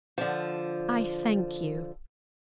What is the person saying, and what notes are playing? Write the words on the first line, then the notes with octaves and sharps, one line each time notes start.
I thank you.
D3 F3